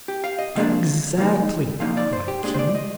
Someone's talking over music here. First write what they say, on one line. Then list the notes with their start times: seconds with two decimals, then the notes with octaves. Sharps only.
"Exactly!" cried Kinney.
0.08 G4
0.24 F5
0.39 D#5
0.55 C3 F3 A#3 D4 F5
1.17 A#2 F3 A#3 D#4
1.80 A#2 F3 A#3 D#4 F5
1.97 D5
2.13 C5
2.28 G4
2.43 A#2 G#3 D4 G#4
2.54 C5
2.59 D5
2.75 D#5